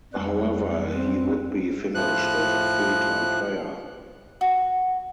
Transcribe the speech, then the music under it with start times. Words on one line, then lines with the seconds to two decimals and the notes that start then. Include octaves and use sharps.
However, he would be finished as a full-time player.
0.14 F2 G3 B4
0.92 C4
1.95 A2 F3 F#6
4.41 F#4